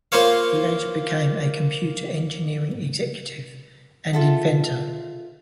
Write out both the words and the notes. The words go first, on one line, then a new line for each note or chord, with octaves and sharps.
He later became a computer engineering executive and inventor.
A#3 F4 C5 C#5 F5
F4 G#4 A4 E5 F#5